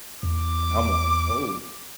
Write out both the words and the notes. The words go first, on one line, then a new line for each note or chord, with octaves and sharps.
And I'm like, oh.
E2 D6